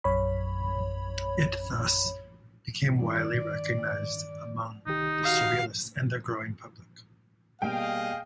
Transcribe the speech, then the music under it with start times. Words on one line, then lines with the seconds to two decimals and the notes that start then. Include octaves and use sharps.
It thus became widely recognized among the Surrealists and their growing public.
0.04 A#1 F#2 C#5 B5
3.02 G2 D#3 D5
4.87 C2 D#3 D#4 G4
5.24 F#4 F5
7.62 B2 G3 A#3 G#4 D#5 F5 G5